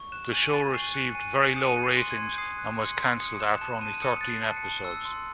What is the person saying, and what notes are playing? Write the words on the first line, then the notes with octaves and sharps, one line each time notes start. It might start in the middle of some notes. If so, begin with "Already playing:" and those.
The show received very low ratings and was canceled after only thirteen episodes.
Already playing: C#6
F#6 E7
G#5 D#7
G#5 A6
C#6 C7
F#6 C#7
G#5 D#7
G#5 E7
D#6 C#7
D#7
F#6 C#7
C7
C6
G#6
C6
D#6 C7
F#6
C6 C#7
C6
D#6 C#7
F#6 E7
A5 E7
A5 D#7
D#6 C#7
F#6 A6
C7
A5
C#7
A5
E6
C6